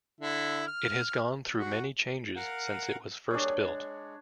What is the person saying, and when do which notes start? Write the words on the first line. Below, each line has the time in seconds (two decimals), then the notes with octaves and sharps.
It has gone through many changes since it was first built.
0.21 D3 E4
0.67 F6
1.58 F#4
2.36 A#4 F5 F#5
3.31 G3 A#3 D4 G#4 C#5
3.57 G#3